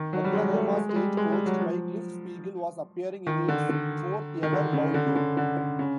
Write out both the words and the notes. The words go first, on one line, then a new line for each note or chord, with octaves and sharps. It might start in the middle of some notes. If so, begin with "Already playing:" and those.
Oklahoma State, coached by Cliff Speegle, was appearing in its fourth ever bowl game.
Already playing: D#3
F#3
G3
G#3
A3
G#3
G#3
G3
G#3
G3
F#3
F3
D#3
D3
D3
D#3
D3
C#3
D3
C#3
D3
D3
D3
C#3